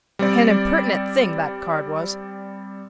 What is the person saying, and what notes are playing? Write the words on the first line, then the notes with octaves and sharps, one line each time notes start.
An impertinent thing, that card was.
G3 C4 D5